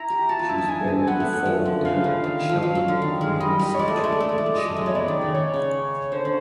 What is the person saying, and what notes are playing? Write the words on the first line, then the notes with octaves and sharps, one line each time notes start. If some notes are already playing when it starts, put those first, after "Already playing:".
She was buried the following day at the Cheltenham Pioneer Cemetery in Charman Road.
Already playing: E4 A#5
G4
F#4 A5
F4
E4
D#4
D4 G#5
C4
B3 F#5
A3
F#3
F3
D3
C#3 F5
D3
D#3
F3
F#3
F#3
D3
D#3
G#3
G3 D#5
G3
C#5
G#3 D5
A3
G#3
A3
G#3
A3
G#3
A3
G#3
F#3 D#5
A3
G#3
B3 C#5
G#3 D5
D#3
C#3
C#3 C#5
C#3
D3 C5
D3